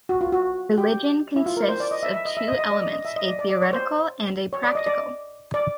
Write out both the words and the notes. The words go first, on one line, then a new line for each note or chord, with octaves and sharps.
Religion consists of two elements, a theoretical and a practical.
F#4
F4
F#4
G4
E4
F4
A#4
C5
D5
D#5
E5
E5
D#5
E5
D#5
D#5
D5
D#5
D#5
E5
D#5
D5
D5
D5
C#5
C5
C#5
D5
D#5
D5
D5